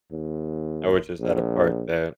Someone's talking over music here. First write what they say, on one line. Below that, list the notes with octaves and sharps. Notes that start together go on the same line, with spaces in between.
I was just at a park that
D#2
A#1